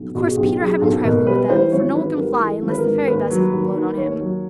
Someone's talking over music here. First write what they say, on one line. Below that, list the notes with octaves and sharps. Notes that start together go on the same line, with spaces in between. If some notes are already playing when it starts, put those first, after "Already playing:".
Of course Peter had been trifling with them, for no one can fly unless the fairy dust has been blown on him.
Already playing: B1
B2 F#4
G#4
B1 G4
F#3 G#4
B1 A4
B2 A#4
G3 B4
E3 C5
G#1 C#5
G#2 B4
G3 A#4
E3
A4
G#1
B4
A#4
G#2
D#2 B4
F#3
D#2
D#3
D#2 C#5
F#3